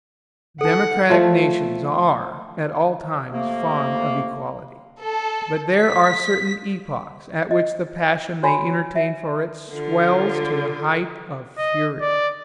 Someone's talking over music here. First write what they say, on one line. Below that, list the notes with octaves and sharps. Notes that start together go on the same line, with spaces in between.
Democratic nations are at all times fond of equality, but there are certain epochs at which the passion they entertain for it swells to the height of fury.
D#4 A4 F#5
F3 A3 E4 F4
F2 C3 A3 A#3
A4
B6
D#5
F#4 C#5 G#5 B5
E5
D3 F4
D#5
D5